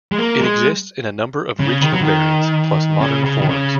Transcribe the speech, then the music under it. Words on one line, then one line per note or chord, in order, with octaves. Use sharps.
It exists in a number of regional variants, plus modern forms.
G#3
A#3
G#3
C#3
D#3
F#3
D#3
C#3
C#3
D#3
C#3